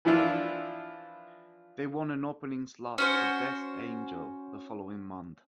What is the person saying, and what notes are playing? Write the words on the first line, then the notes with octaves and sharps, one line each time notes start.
They won an opening slot for Death Angel the following month.
E3 F3 D4 E4 F4
C#4 F#4 C5